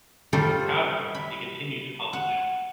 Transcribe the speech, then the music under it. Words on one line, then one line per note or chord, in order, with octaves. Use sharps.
However, it continued to publish.
G3 A3 F4 A4 C5 D5
B5
F#5